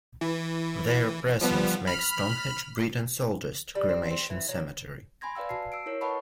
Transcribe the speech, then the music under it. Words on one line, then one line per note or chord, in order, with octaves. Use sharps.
Their presence makes Stonehenge Britain's oldest cremation cemetery.
E3
F3 G3 B3
B5 F6
G3
C4
C4
E3
F#3
G#5 B5 C6 G#6 A#6
B4 D5 F5 G5 E6
F#4 A5 C7
E6 C7 D7
E4 A#4 C#5
B4 D#5 F#5 A5 B5 C#6